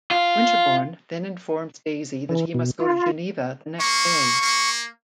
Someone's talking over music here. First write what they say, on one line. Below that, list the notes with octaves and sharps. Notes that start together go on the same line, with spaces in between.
Winterbourne then informs Daisy that he must go to Geneva the next day.
F4
E3
B2
F4
A#3 C#6
A#3